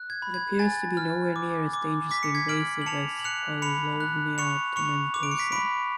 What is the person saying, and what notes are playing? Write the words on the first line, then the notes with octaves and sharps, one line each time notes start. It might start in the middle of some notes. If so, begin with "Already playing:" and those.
It appears to be nowhere near as dangerously invasive as "Paulownia tomentosa".
Already playing: F#6
G#6
B5
G#6
G#5 A6
F6
D6
D6
D6 B6
C#7
G#6 B6
F6 D7 F#7
F#7
A5 C#7 F7
F#7
F#6 C#7 F7
B5 C#7 F7
F#6
C#6 C#7 F7
C#6 C#7 F7
D6 F7
D7
C#7
B6 D7
B5 B6 D7